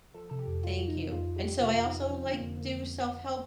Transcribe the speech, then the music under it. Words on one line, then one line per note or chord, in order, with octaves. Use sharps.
thank you, and so I also, like, do self-help
F3 A4
C3 A4
G4
F2
F2 F4
F3
D#4
C3
F2 F4
F2
G4
F3
C3 F4
F2
D#4
F2
F3 C4
D3
A#3
F2
F2 A#3
F3